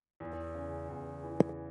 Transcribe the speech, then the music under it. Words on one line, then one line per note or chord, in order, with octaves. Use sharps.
These images are deposited with other offerings by the roadside.
E2
C#3
E2
E3